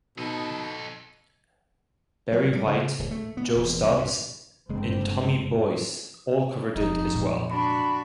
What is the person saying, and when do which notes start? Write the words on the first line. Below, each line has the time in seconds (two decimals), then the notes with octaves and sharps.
Barry White, Joe Stubbs and Tommy Boyce all covered it as well.
0.18 B2 D#4 A4 D#5
2.33 F#3
2.53 G3
2.67 C#3
2.99 D1
3.11 A3
3.37 B3
3.55 E1
3.82 C2
3.98 G2
4.69 F#1 G2 D3 G#3 C4
6.75 E1 F2 D#4
7.13 A#2 G#3
7.51 D4 F#4 B5